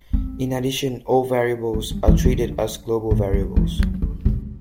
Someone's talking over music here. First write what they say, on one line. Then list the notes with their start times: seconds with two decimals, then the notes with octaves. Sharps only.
In addition, all variables are treated as global variables.
0.13 C4
1.74 B3
1.91 G3
2.08 E3
2.25 D3
3.11 A2
3.33 F#3
3.56 E3
3.79 F#3
4.02 D3
4.25 C3